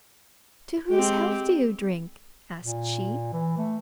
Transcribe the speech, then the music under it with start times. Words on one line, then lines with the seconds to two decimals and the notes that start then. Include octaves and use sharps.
'To whose health do you drink?' asked she.
0.90 G#3 C4 G4
2.61 A#2
3.33 E3
3.58 A3